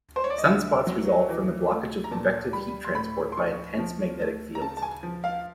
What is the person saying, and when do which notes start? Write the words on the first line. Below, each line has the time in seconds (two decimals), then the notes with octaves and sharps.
Sunspots result from the blockage of convective heat transport by intense magnetic fields.
0.16 C5
0.24 C#5
0.30 D5
0.38 D#5
0.45 D3 E5
0.87 F#3
1.29 E3
1.70 A3
2.04 A#5
2.11 A#2 A5
2.53 G3 B5
2.84 C6
2.95 A2 B5
3.32 C6
3.37 F3 C#6
3.79 F3
4.20 A3
4.55 A#5
4.62 C#3 A5
4.77 A5
4.82 G#5
5.03 F3
5.24 F5